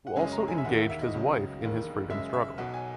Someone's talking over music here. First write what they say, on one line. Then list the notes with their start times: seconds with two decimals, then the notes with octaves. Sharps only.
Who also engaged his wife in his freedom struggle.
0.07 F#5
0.16 F#2 C#3 G#3 C#4 G#5
0.33 A#5
0.48 G#5
0.58 E5
0.65 E1 D#2 D#3 A#3 F#5
0.77 E5
0.89 E5
1.01 D#5
1.13 C#2 C#3 F#3
1.61 E1 D#2 D#3 A#3
2.10 F#2 C#3 G#3 E5
2.33 E5
2.58 B1 B2 F#3 F#5
2.74 G#5